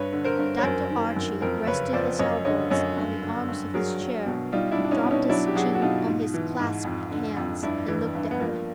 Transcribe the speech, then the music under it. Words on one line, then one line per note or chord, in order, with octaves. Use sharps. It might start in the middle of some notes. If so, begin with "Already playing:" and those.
Dr. Archie rested his elbows on the arms of his chair, dropped his chin on his clasped hands and looked at her.
Already playing: G2 B4 C#5
D3
A#4 C5
G2
C#5
F#2 A#4 C5
D#3
F#2
F2 A#4 C5
C#3 B4 C#5
F2 C5 D5
F#2 C#5 D#5
D3 C#5 D#5
F#2 C#5 D#5
G2
D3
G2
F#3 G#4 A#4
F#3
B2
G3 D#4 F4
D4 E4
G3
D4
C#4 D#4
B2
C#4 D#4
F#3 D4 E4
G4
F#3 F#4 G#4
F#4
B2 D#4 F4
G#2
E3
G#2
F2
D3
F2
G2 D4 E4
E3
G2
B3
F3 A#3